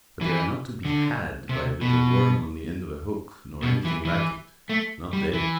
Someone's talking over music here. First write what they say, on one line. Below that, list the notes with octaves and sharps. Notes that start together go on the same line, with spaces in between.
But they are not to be "had" by a bit of worm on the end of a hook, nor anything like it--not they!
E3
D3
C3
B2
B2
E3
E3
A3
G3
E3